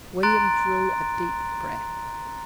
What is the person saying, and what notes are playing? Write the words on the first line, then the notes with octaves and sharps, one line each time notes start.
William drew a deep breath.
A#5 C6 F#6 A6 D7